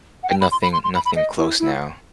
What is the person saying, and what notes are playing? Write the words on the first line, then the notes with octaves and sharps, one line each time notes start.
But nothing nothing close now.
F#5
G5
B5
C6
B5
C6
C6
B5
B5
D#5
E4
E4